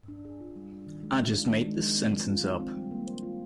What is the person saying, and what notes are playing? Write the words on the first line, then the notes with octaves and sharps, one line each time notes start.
I just made this sentence up.
D4
G#4
F4
G3
D4
D#3
G#3
F4
D4
D#3
G#3
F3
C4
F3
F4
F3
C4
G3
A#3
C5
F4